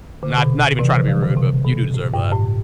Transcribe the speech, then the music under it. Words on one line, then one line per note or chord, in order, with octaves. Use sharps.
Not not even trying to be rude, but you do deserve that."
D3
C3
B2 D3
C3 E3
D3 F3
E3 G3
B2 D3
C3
B2
A2
G2
A2